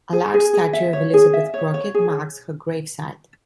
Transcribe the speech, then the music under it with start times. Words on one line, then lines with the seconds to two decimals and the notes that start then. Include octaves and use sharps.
A large statue of Elizabeth Crockett marks her grave site.
0.13 G#4
0.34 G#4
0.53 G#4
0.73 E5
0.93 C#5
1.14 G#4
1.34 E5
1.54 C#5
1.74 C#5
1.94 G#4